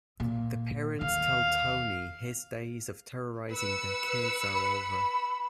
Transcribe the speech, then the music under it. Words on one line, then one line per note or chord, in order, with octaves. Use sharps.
The parents tell Tony his days of terrorizing their kids are over.
A#2
D#2 D3 F5
B4 E6 C#7
B5